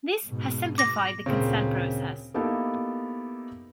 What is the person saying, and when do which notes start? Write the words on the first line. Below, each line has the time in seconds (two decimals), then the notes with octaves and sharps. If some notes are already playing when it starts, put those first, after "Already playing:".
This has simplified the consent process.
0.25 G#2 B2
0.78 D6 A#6
1.26 D2 A#2 C#3 C4 A#4
2.34 A#3 B3 D#4 E4 G4 A4